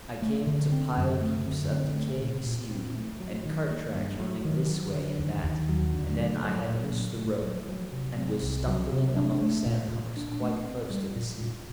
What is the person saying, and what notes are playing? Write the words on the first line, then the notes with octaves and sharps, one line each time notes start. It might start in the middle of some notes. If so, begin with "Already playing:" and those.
I came to piled heaps of decaying seaweed and cart tracks running this way and that, and then I had missed the road and was stumbling among sand hummocks quite close to the sea.
A3
D3
C4
F#2
A3
D3
C4
A3
A#2
A#2
C4
A3
F#3
D#3
A#3
G2
F#3
D#3
F#3
D3
D#2
D#2
F#3
D3
A3
F#3
A#2
A#2
A3
F#3
F#3
C3
C4
C2
F#3
C3
D4
A3
A#2
A#2
D4
A3
C4
G3
A#2
A#2